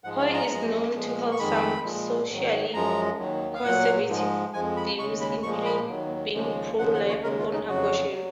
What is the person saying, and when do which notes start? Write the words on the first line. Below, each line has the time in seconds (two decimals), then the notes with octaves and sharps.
Hoy is known to hold some socially conservative views, including being pro-life on abortion.
0.04 G#2 F3 G#3 F#5
0.18 G#5
0.33 A#5
0.48 F#2 F3 G#3
0.94 A#2 F3 G#3
1.31 C#6
1.39 F2 D#3 G#3 B5
1.84 A#2 F3 G#3
2.28 G#2 D#3 F#3
2.74 F#2 F3 G#3 A#5
3.19 D#2 D#3 F#3
3.55 F5
3.64 A#2 F#3 F#5
4.09 G#2 F3 G#3
4.54 F2 F3 G#3 G#5
4.77 B5
4.98 D#2 C#3 G#3 C#6
5.20 B5
5.43 A#2 F3 G#3 C#6
5.65 B5
5.88 D#2 D#3 F#3
6.33 D#2 C#3 F3 G#3
6.78 D#2 C#3 F3 F#5
6.94 F#5
7.08 C#5
7.23 D#2 C#3 G#3 A#4
7.39 F4
7.54 D#4
7.68 F2 C#3 F#3 F#4
8.15 F#3